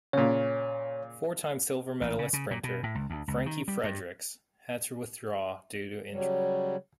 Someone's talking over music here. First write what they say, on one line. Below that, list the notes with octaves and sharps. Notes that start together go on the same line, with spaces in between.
Four-time silver medalist sprinter Frankie Fredericks had to withdraw due to injury.
A#2 C#3 C#5
A1
C#3
C#3
A#2
B2
A2
C#2
D2
C#2
D#3
G3
G2
C#3 F#3 G3